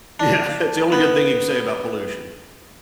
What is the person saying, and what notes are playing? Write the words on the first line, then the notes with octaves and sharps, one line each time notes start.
Yeah, it's the only good thing you can say about pollution.
D4
B3